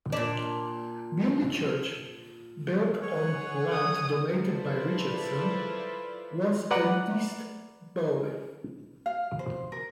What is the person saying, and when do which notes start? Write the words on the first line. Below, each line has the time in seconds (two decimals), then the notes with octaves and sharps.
Bierley Church, built on land donated by Richardson, was in East Bowling.
0.12 A#2 D4
3.02 G#4 C#5 F#5
3.72 D#6
4.43 E4 F4 A4 B4 C5 D5
6.71 B4 D5 F#5 A#5
9.06 F5
9.39 C5
9.72 A#4